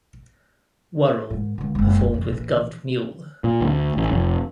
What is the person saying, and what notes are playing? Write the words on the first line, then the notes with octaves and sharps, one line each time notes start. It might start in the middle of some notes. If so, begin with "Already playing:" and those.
Worrell performed with Gov't Mule.
G#2 D#3
C#2 D3
F#1 G#3
F2
D#1 F2
A#1 E3
A#2
D2
A1
F1